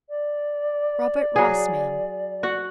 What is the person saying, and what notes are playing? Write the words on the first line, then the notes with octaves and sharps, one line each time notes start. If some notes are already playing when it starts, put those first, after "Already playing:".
"Robert Ross, ma'am."
D5
F#3 G#4
F#4 F#5